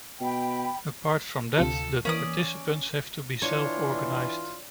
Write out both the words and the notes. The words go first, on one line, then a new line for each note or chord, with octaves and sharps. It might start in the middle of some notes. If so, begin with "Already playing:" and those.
Apart from that, the participants have to be self organized.
B2 G5 B5
D2 C3 F4 A4
E3 A#3 C#4 D5 D#6
E3 D4 F4 C#5